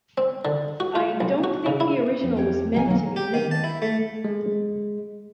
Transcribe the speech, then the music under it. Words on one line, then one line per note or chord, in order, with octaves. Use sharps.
I don't think the original was meant to be mythic...
C4
D3
F#4
F4
B1
F#4
C#3
E4
F2
G4 C#5 G5
F#1 C2 F2 A#3 G5 G#5
B1 A#2 D#3 F#3 A#3
G4
D#3
A5
E4
A3
G#3